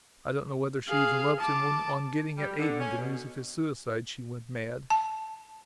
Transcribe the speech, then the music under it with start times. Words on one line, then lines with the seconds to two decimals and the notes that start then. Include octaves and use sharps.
I don't know whether she even loved him when, on getting, at Aden, the news of his suicide she went mad.
0.89 G#4 F5
1.40 A5 D6
2.37 G3
2.58 D3
2.78 C#4
2.97 B2
4.90 A5